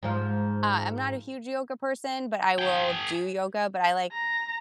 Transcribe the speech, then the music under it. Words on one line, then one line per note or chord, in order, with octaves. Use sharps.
uh I'm not a huge yoga person, but I will do yoga, but I like
G#2 F3 F4
G#4 G5
A#5